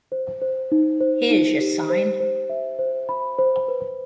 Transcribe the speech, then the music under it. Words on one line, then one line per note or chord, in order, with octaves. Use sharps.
Here's your sign.
C5
C5
D#4
C5
D#4
G4
C5
C5
E5
C5
B5
C5
B4